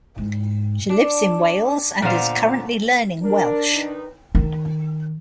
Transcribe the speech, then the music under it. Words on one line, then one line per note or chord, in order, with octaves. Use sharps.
She lives in Wales and is currently learning Welsh.
G#2
D4
A#2 D3 B3 C5 F5
D4 A#4
D#3 D#4 B4
D#3